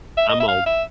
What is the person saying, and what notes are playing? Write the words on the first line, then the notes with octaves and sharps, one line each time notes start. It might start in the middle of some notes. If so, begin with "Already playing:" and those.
I'm old.
E5
D#5
E5
F5
E5